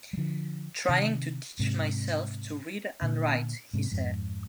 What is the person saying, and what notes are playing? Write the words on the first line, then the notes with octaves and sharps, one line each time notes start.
"Trying to teach myself to read and write," he said.
G3
D3 F3
C3 D#3
G#2 C3
A#2 D3
G#2 C3
F2 G#2